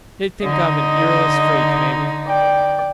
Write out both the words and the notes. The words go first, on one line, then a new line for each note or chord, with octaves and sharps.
They think I'm an earless freak, maybe.
D3 D#4 D#5
D5 G5